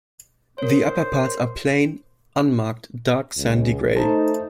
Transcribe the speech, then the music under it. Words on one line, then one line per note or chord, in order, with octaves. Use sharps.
The upper parts are plain, unmarked dark sandy-grey.
A#4 C5 C#5
C#2
A3 D#4 C5 A5